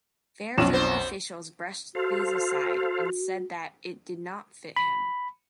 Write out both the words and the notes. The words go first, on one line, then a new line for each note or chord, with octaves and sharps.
Fairview officials brushed these aside and said that it "did not fit in".
B1 F2 F3 C#4 E7
B3 C5
F#4 A4 C5 F5
B5